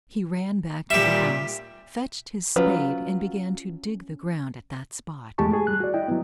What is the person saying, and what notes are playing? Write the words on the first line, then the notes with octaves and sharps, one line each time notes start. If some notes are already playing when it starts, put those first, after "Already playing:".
He ran back to the house, fetched his spade and began to dig the ground at that spot.
A#2 G3 G4 E5
F#3 C#4 F4 B4
E2 G#3 A3 G4 A5 C#6
G#4
G3 F#6
F#4 D5
E4 D#5 G5
F#3 B3